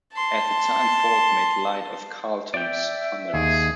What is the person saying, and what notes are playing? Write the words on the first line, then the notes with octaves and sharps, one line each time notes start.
At the time Ford made light of Carlton's comments.
A5 C6
D5 E5 G5
D#2 G#4